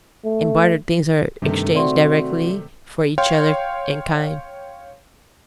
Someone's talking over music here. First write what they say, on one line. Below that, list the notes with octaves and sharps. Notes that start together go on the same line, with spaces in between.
In barter things are exchanged directly for each other in kind.
A3
G2 C3 D#3 A3
C4 F#4 D5 E5 C6
C#5 F5 G5 C6